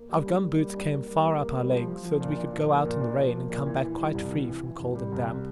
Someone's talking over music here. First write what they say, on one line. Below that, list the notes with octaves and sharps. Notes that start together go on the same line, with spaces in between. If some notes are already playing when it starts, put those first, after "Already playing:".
Our gum boots came far up our legs, so that we could go out in the rain and come back quite free from cold and damp.
Already playing: A#3
G3
D4
A#3
G3
D4
A#3
G3
A#3
A#3
G3
F3
F3
F3
A#2
D4
F3
A#3
A#2
D4
F3
A#3
A#2
E3
E3
G3
C2
E3
E3
E3
C2
G3
C2
G3